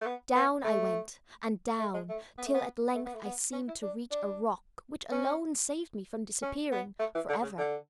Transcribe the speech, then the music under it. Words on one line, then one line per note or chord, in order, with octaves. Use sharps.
Down I went, and down, till at length I seemed to reach a rock which alone saved me from disappearing for ever.
A3
B3
B3
A3
A3
G#3
A3
B3
A3
B3
A3
B3
A3
B3
C#4
E4
D4
D4
C#4
C#4
B3
A3
E3
D3
C#3
D3